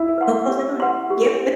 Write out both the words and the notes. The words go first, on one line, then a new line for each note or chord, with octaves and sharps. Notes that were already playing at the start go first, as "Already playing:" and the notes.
Ye "Go close that door." Yep.
Already playing: E4 E5
B4 F#5 C6
G4
B4 F#5 C6
G4